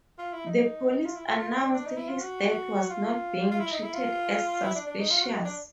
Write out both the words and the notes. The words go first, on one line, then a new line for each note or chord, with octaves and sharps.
The police announced his death was not being treated as suspicious.
F4
E4
D#4
F4
E4
F4
F4
F4
C#4
D4
D4
D#4
E4
F4
F#4
F4
F4
E4
D#4
E4
F4
E4
D4
D4
D#4
F4
F#4
D#4
D4